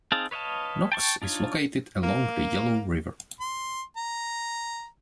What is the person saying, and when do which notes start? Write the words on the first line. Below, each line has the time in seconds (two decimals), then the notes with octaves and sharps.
Knox is located along the Yellow River.
0.12 C4 D#4 G#4 F5 A5
0.31 B4 C#5 D#5 F5 A5
0.92 G5 A5 C6 C#6
1.22 D4 D#4 F4 C#5
2.03 A#3
3.40 C6
3.97 A#5